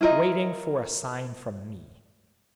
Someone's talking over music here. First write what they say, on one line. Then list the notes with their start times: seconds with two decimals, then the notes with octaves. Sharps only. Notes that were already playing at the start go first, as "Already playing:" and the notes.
Waiting for a sign from me.
0.01 E4 F4 A#4 D#5